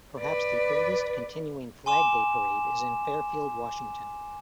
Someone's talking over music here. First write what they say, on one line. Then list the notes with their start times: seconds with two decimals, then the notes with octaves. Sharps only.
Perhaps the oldest continuing Flag Day parade is in Fairfield, Washington.
0.19 B4 D5
1.86 G#5 C6 D6 E7